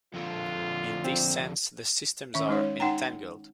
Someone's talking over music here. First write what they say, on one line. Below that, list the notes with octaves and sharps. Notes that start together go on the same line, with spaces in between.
In this sense, the systems are "entangled".
F2 D3 F4
C4
D#3 C#4 E5
G#3 D#4 C#5
D#4 F#5 G5 A#5